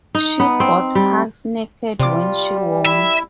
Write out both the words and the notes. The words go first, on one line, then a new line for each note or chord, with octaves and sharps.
She got half naked when she won.
D#4
B3
C4
G3
C3 G3 F4 D6
E4 E5